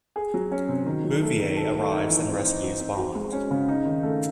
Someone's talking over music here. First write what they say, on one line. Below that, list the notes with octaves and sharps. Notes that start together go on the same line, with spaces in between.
Bouvier arrives and rescues Bond.
G#4
F#3
C#4
C3
D#3
F#3
A3
D#3
A4
A3
D#4
E3
C4
D#4
F#4
C4
F#4
G#3
C#4
C#3
D#4
D#3
A3